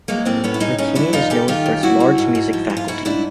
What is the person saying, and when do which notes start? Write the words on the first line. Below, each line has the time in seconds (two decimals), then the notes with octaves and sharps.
McKinnon is known for its large music faculty.
0.08 F#3 G#3 A#3
0.25 A2 A#3 C4
0.44 A2 B3 C#4
0.54 E4
0.60 A2 C#4 D#4
0.78 C#3 C#4 D#4
0.95 F#3 D4 E4
1.13 E2 D#4 F4
1.30 C#3 G4 A4
1.48 D#3 F4 G4
1.66 F#2
1.83 F#2 E4 F#4
2.00 F#2
2.18 G#2
2.35 G#2
2.53 F3
2.70 G#2
2.77 F4
2.88 G#2 E4 F#4
3.05 G#2 D4 E4